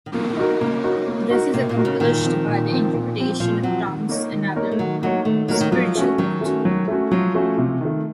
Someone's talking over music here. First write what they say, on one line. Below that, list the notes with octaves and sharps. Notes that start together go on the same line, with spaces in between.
This is accomplished by the interpretation of tongues, another spiritual gift.
D#3
F3 A#3
D#3
D#4 F#4 A#4
C#3 A#3
D#4 F#4 A#4
A#3
D#4 F#4 A#4
C3 A#3
A#2
D#4 F#4 A#4
C#3
A#2 D#3
F3 C4
A#2
F3 C4
A#2
F3 C4
A#2 F3
F3 F#3 C4
D#3
A#3 D#4 A#4 C#5
D#3
A#3 D#4 A#4 C#5
A3
D#3 F#3
F#3 A#3 D#4 A#4 C#5
D#3 A3
F#3 A#3 D#4 A#4 C#5
D#3
F3 F#3
A3 C#4 F#4
D#3 F#3
A3 C#4 F#4
F#3
A3 C#4 F#4
F3 F#3
A3 C#4 F#4
C3
D#3 A3